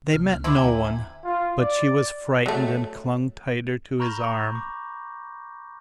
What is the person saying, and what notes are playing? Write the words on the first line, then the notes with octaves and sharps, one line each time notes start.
They met no one, but she was frightened and clung tighter to his arm.
D2 C3 A#3 F6
C#2 F6
D3 C4 E4 D6 E6
D2 G5 G#5 A#5
G#6
F4
D5
F#3 A3
A#5 B5 C#6 F6 G6 A#6
D6